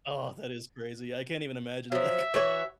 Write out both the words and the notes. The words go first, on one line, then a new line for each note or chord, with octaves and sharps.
Oh, that is crazy. I can't even imagine like,
F3 F#3 E5
E3 F#4 C#5